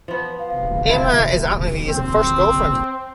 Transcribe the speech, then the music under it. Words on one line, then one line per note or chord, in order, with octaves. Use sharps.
Emma is Antony's first girlfriend.
F3 B3
F5
E3 E4 F4 E5 A5
C4